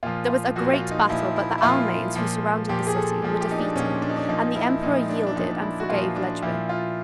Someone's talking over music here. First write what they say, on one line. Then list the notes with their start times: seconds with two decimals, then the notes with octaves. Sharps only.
There was a great battle but the Almains who surrounded the city were defeated and the Emperor yielded and forgave Ledgwin.
0.03 A#2 F3 F4
0.29 F4
0.56 A#2 F3 F#4
0.73 F4
0.91 D#4
1.10 A#2 F3 E4
1.36 E4
1.58 E4
1.63 A#2 F3 F4
2.16 A#2 F3
2.69 A#2 F3 G4
2.87 G#4
2.96 A4
3.22 A#2 F3
3.40 G4
3.51 D#4
3.58 D4
3.75 A#2 F3 C#4
4.02 D4
4.09 D#4
4.17 D4
4.29 A#2 F3 D#4
4.56 E4
4.82 A#2 F3 D#4
5.09 D4
5.27 D4
5.36 A#2 F3 D#4
5.62 E4
5.80 F#4
5.89 A#2 F3 F4
6.16 D4
6.42 A#2 F3 E4
6.69 F4